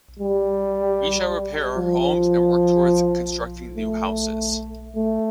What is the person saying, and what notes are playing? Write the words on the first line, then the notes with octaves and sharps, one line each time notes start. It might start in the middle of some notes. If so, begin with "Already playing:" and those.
We shall repair our homes and work towards constructing new houses.
G3
F3
A3
A3